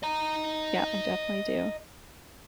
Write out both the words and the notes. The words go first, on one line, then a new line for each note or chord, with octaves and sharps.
Yep, I definitely do.
D#5 A#5